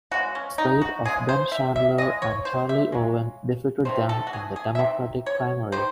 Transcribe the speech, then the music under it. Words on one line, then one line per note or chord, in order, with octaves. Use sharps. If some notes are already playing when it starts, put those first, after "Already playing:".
The slate of Ben Chandler and Charlie Owen defeated them in the Democratic primary.
C#3 G#3 F#4
C#4
D#4
F#4
C#3 G#3 G#4
C5
E5
E5
C#3 G#3 D#5
C#5
C5
E5
C#3 G#3
C3 D#3 A3 C5
A4
F#4
G#4
G#4
E5
C3 D#3
C#5
D#3 C5